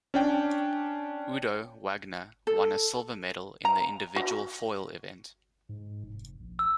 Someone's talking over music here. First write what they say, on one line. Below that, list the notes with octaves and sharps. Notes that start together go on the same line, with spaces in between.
Udo Wagner won a silver medal in the individual foil event.
C#4 D4 G5
A4
A#5
F#4
G#2
F1
A#1
E6